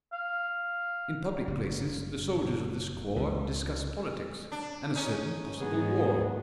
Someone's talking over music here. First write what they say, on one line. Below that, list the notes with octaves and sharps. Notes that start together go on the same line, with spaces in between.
In public places the soldiers of this corps discuss politics and a certain possible war.
F5
F#1
C#2
D4
C#4 D#4
G#2 D#3 F#3 B3 G#4